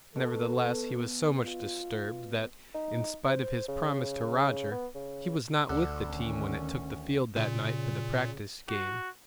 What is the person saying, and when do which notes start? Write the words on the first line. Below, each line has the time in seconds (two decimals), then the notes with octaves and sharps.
Nevertheless, he was so much disturbed that, in spite of his promise to Roger, he was not with the team when it took the field that night for the practice game.
0.16 B2 A4
1.46 F4
2.75 D#4
3.28 C5
3.68 C#3
4.72 B3
4.95 C#3
5.70 D2 D3
6.08 D#3 C#4
7.36 A#2 C#3
8.69 F#4